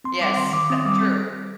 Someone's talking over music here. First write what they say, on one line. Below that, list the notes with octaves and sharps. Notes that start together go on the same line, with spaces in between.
Yes, that true.
C4 C6
G3 D6
D#3 C6
D#3 D6
C4 D#6
G3 D6